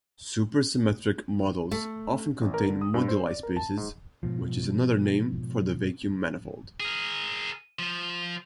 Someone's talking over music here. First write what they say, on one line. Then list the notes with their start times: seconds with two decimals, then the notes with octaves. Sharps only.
Supersymmetric models often contain moduli spaces which is another name for the vacuum manifold.
1.71 A3
2.41 A1
2.54 A#4
2.69 D3
2.81 D#6
2.94 G2
3.08 C5
3.27 D5
3.43 A#4
3.56 A5
3.77 G#2
4.23 G#2 B2 F3
6.80 G#4 A#4
7.79 F3